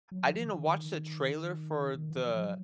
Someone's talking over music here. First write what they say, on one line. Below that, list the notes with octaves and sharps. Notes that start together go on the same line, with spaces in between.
I didn't watch the trailer for the
F#3
F3
E3
D3
D#3
D#3
E3
F3
F#3